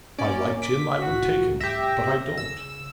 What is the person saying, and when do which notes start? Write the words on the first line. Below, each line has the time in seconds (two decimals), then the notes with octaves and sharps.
If I liked him, I would take him, but I don't.
0.19 A2 A#3 C#4 D5
0.62 D6 B6
1.01 C2 A2 F#4
1.60 G4 E5 A#6
2.37 C#3 E6